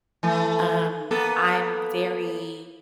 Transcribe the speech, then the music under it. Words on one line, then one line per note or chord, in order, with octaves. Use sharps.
Um, I'm very,
E3 A3
A#3 B3 A4